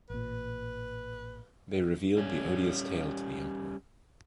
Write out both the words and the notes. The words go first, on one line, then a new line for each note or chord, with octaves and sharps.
They revealed the odious tale to the emperor.
A1 A#2 B4
G3 C#4